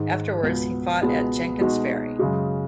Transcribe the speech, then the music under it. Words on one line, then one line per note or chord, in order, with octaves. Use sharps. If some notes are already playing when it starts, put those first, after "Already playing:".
Afterwards he fought at Jenkin's Ferry.
Already playing: G#2 D#3 G#3
C#2 B2 B3
C#2 B2 G#3 B3 G#4
B2 G#3 D#4 F#4
F#2 C#3 G#3